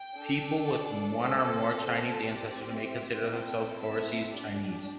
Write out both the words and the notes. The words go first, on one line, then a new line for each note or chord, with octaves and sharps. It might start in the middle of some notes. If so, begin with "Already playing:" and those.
People with one or more Chinese ancestors may consider themselves overseas Chinese.
Already playing: G5
D4 A4
D5
C4 A4 C5
C4 G4 D5
E5
C4 E4 A4 G5
E5
D4 G4 D5